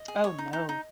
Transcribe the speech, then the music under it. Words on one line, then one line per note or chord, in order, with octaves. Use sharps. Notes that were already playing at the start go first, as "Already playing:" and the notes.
Oh, no.
Already playing: D#5
G#4
C#5
D#4
D#4
D#4